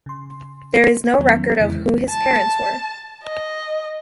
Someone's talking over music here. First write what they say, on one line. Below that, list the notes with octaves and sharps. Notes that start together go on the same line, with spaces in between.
There is no record of who his parents were.
C#3 C6
E2 D#3 F#3 B3 C#4
F2 C#3 E3 G#3 E4
A5
D#5